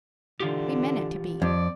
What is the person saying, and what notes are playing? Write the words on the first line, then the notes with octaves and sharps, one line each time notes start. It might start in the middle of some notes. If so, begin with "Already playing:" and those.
We meant it to be.
D3 E3 F4 G4
F2 D5